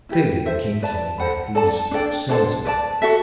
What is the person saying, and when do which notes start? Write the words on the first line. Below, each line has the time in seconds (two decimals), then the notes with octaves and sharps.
Clearly it came to me that these were sense organs!
0.09 E4 G4 B4
0.46 A4 C5 E5
0.82 B4 D5 A5
1.18 A4 C5 F#5 B5
1.55 A4 D5 A5
1.91 D4 A4 D5 G5
2.29 D4 A4 C5
2.65 B4 D5 A5
3.02 F#4 A4 E5